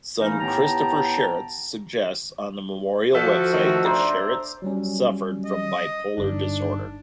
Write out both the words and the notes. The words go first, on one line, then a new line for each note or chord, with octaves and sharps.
Son Christopher Sharits suggests on the memorial website that Sharits suffered from bipolar disorder.
E3 A3 A#3 C#4 D#4
A2 B3 G4 G5 A5 A#5
F3 F#4 A4 E5
D#3 A3 E6
D4 C5 D5 A#5
F#3 G3 C#4
D#5
G1 G2 D4 D#4